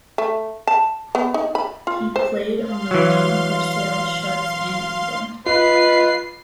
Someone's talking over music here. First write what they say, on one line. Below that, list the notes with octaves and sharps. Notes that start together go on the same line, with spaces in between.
He played on the wing for Sale Sharks and England.
A3
A5
B3
D#4
B5
F4
C5
F5 C6
E3 F#3
F4 B4 D#5 C7